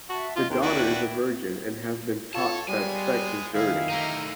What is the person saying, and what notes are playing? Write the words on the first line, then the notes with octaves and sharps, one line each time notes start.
The daughter is a virgin and has been taught that sex is dirty.
F#4 E5 F#5 A5
F4 D#5
D#2 G5 A5 C6
D4 E4 F#4 B4 G5
F4 A4 C#5 A5
G3 G#3 B3 G#5
D#3 E4 G#4 F5
A3 D#4 E4 G4 A#4